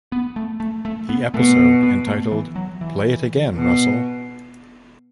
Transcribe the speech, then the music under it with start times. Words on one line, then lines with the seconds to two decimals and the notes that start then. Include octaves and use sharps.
The episode entitled "Play It Again, Russell".
0.12 B3
0.36 A3
0.60 A3
0.85 A3
1.09 B3
1.34 B2 A3
1.59 B3
1.83 B3
2.07 A3
2.32 E3
2.56 F#3
2.81 E3
3.54 B2